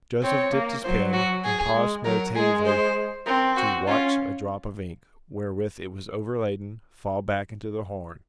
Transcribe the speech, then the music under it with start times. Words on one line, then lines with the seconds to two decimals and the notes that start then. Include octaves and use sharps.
Joseph dipped his pen, and paused meditatively to watch a drop of ink, wherewith it was overladen, fall back into the horn.
0.23 C4 C#5
0.53 A#3
0.84 F#3 C5
1.13 F#4
1.45 G#4
1.75 G#3
2.05 F#3 A#4
2.36 G#3 G#4
2.66 C5
3.26 C4 A#4
3.57 F#4
3.87 C#4 F4